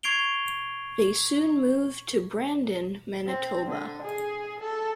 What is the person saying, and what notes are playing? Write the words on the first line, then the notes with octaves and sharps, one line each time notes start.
They soon moved to Brandon, Manitoba.
C#6 G#6 C7 D7 F7 G7
C4
D3
G#4
A4